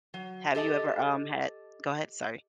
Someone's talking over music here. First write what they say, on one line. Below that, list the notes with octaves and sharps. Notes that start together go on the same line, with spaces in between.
Have you ever, um, had Go ahead, sorry.
F#3
G4 A4 D#5 A5